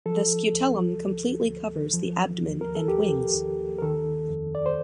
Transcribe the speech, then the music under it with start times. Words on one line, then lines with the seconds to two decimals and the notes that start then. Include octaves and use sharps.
The scutellum completely covers the abdomen and wings.
0.06 F3 A4
0.53 D2
1.00 D2
1.47 D2
1.94 F3
2.41 D#2
2.61 A#4
2.75 A4
2.88 D#2 G4
3.35 D#2
3.79 A#4
3.82 D#3 A4
4.29 F2
4.55 D5
4.66 C5